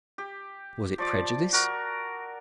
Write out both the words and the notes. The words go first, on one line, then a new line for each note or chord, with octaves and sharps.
Was it prejudice?
G4
F3 D5 D6
F#4 A#4